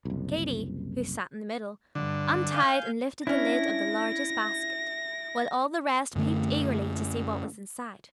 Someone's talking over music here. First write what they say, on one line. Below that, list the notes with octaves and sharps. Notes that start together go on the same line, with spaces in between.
Katy, who sat in the middle, untied and lifted the lid of the largest basket, while all the rest peeped eagerly to see what was inside.
F#1 C2
G2 D3
F5 G#5 G6
C#4 D4 E4 A#6
F#2 D3 A3